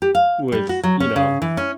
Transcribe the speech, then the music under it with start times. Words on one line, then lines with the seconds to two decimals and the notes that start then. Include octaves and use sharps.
with, you know
0.02 G4
0.15 F5
0.52 G3
0.69 F#4
0.83 F#3
1.00 C#4
1.16 C#3
1.42 E3
1.57 C#4